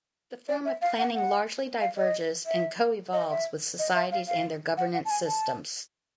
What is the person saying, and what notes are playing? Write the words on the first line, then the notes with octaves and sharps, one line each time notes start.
The form of planning largely diverges and co-evolves with societies and their governance systems.
D5
E5
F5
F#5
F#5
F5
D#5
E5
D#5
E5
D#5
E5
F5
F5
F#5
F#5
A5
G#5
A5